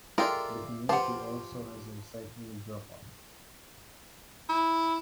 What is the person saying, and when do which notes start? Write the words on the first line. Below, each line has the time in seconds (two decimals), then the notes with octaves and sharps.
The community also has a recycling drop off.
0.18 G#3 F4 G4 A4 A#4 D5 E5 F5
0.89 F3 F4 G4 B4 C5 F#5 A5
4.49 E4